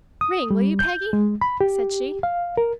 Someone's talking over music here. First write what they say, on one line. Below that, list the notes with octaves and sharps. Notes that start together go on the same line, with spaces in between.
"Ring, will you, Peggy?" said she.
D#6
G3
G6
G#3
B5
G4
F5
A#4